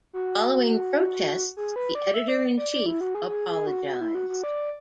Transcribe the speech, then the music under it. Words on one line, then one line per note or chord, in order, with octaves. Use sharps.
Following protests the editor-in-chief apologized.
F#4
G#4
B4
D5
E5
D5
D5
D5
E4
F#4
G#4
G#4
G#4
F#4
F#4
E4
F#4
F#4
D5